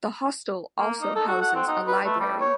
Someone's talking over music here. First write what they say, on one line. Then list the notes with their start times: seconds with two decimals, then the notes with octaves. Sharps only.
The hostel also houses a library.
0.79 A#3
1.01 D#4
1.15 A4
1.28 F#4
1.41 F#5
1.55 C4
1.67 D#4
1.87 B4
2.05 A3
2.20 G3
2.41 C#5